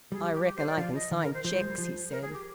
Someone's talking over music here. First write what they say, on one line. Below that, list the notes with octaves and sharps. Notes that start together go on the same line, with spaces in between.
"I reckon I can sign cheques," he said.
G3 G#4
G4
G4
G4
C5
D5
F3 F5
D#5
D#3
A#4
C5
F3 C5
G3
G#3
G3
F3
A#4
G#4
G4